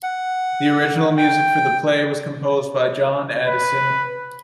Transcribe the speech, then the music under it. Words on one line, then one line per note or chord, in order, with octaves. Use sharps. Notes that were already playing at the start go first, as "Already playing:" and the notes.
The original music for the play was composed by John Addison.
F#5
G5
B4